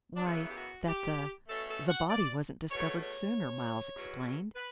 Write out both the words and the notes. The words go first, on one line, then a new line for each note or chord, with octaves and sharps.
"Why, that the--the body wasn't discovered sooner," Miles explained.
D4
F#2 C#3 E3 B3 E4
G4
F#4
G4
B2 A3 C#4 A4
A4
F#5
D5
E2 B2 A3 C#5
C#5
E2 B2 F#3
B4